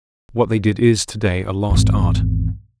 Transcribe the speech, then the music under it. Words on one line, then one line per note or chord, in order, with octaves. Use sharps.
What they did is to-day a lost art.
G#1 E2